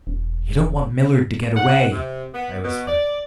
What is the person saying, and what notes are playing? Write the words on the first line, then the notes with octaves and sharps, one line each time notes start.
"You don't want Millard to get away," I whispered.
E1
F#5
C3
B3
B2
D5